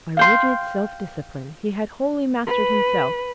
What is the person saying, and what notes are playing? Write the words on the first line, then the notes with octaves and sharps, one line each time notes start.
By rigid self-discipline, he had wholly mastered himself.
F5 G5 C6
B4